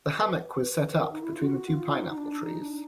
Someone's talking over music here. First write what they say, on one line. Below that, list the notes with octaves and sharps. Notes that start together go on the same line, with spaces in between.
The hammock was set up between the two pineapple trees.
B4
A#4
D#4
E4
F4
F#4
F4
D#4
D#4
D4
D#4
D4